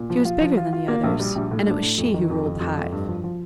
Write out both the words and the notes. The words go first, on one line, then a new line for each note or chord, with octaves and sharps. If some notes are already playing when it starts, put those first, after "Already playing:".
She was bigger than the others, and it was she who ruled the hive.
Already playing: A#2
F3
F4
F3
F4
F4
A#3
A#1
G3
A#1
A2
D4
A2
F2
D#3
F2
F2
F2
F2
G2
F3
F3